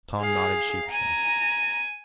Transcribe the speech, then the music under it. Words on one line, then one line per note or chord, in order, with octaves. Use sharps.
Tom nodded sheepishly.
G#4 F5
G#5 A#5